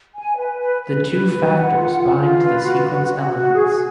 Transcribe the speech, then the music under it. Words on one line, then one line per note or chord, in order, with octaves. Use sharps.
The two factors bind to the sequence elements.
G#5
B4
B4
B4
B4
B4
F#5
F4
F4
F4
B4
F#4
F#4
F#4
F#4
G#4